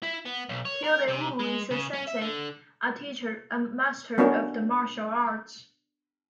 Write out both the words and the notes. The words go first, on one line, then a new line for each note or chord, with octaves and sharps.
"Kildee Wu is a sensei", a teacher, a master of the martial arts.
E4
B3
B1
C#5
A#4
C3
G#3
C#3
C#4
E5
D3
B3 C#4 D4 F#4 A#4